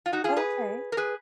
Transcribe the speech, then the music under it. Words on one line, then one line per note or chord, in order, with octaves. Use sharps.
Oh, okay
F4
D#4 F#4
F4 G#4
G#4 B4
A#4
G#4 B4